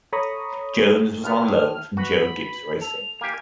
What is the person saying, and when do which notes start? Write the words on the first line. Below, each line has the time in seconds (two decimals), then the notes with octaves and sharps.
Jones was on loan from Joe Gibbs Racing.
0.13 A4 C#5 A#5 B5 C#6 D#6
1.24 D2 B3 F6
1.42 A2
1.97 F#4 B4 B5
2.81 A4 F7
3.21 A#3 G4 G#5